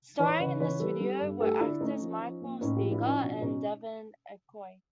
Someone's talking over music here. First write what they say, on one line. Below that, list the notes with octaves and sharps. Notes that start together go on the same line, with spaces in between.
Starring in this video were actors Michael Steger and Devon Aoki.
E3 B4 C#5
C#3 B4 C#5
E3 B4 C#5
G3 A4 B4
G3
G2
A3 G4 A4
D3 D4 E4
A3 C#4 D#4
F3
F3
A#3
A2 C#4 D#4
F3 F4 G4
D4 E4
F3 C#4 D#4
B2 D4
B2 C#4 D#4